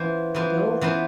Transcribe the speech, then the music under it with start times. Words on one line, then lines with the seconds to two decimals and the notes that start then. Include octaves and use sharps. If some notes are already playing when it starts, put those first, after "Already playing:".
Bill H
Already playing: E3 B3 F4 C5
0.34 E3 B3 F4 C5
0.81 E3 B3 F4 C5